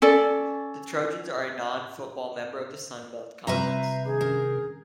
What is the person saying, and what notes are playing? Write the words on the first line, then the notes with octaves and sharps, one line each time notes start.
The Trojans are a non-football member of the Sun Belt Conference.
C#4 A4 D5
C3 G3 C4 F4 B4 E5 A#5
D#3 D4 G#4
C#4 A#4